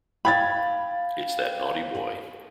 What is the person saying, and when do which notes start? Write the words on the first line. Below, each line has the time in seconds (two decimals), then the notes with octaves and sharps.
It's that naughty boy.
0.25 F5 G5 B5 G#6 A6